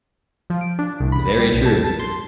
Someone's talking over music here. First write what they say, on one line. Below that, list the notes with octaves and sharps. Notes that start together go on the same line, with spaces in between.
Very true,
F3
D7
D4
C2
B5
G3
B1
A5
A5
C6